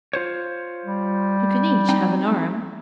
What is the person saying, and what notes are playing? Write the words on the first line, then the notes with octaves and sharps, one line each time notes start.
"You can each have an arm."
F4 C5 C#5
G3
C4 D#4